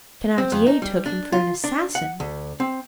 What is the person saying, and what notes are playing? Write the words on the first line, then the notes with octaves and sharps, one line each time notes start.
Thenardier took him for an assassin.
C4
F2
D#4
G3
D4
F4
D4
F#5
D2
C4